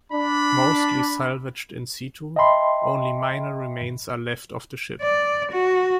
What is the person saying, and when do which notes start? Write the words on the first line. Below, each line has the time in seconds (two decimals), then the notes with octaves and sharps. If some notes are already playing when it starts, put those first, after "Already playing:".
Mostly salvaged in situ, only minor remains are left of the ship.
0.12 D4 B5
2.36 D#5 E5 G5 A5 B5 C6
5.02 D5
5.52 F#4